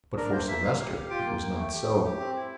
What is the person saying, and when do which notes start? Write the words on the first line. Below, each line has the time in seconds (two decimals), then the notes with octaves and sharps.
But for Silvester it was not so.
0.16 D4 A#4
0.32 A#3 C5
0.48 A#3 E5
0.63 A#3 F5
0.79 G4
0.94 G4
1.10 F4 G5
1.26 A#3
1.42 A#3
1.58 A3
1.73 G4
1.89 A3
2.04 G4
2.20 C4
2.36 E4